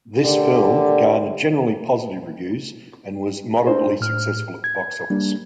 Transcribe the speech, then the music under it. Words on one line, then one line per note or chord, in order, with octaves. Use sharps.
This film garnered generally positive reviews and was moderately successful at the box office.
A2 D3 G4 A#4 D5
D4 C5
A2 F6
G#6
G3 A#3 D4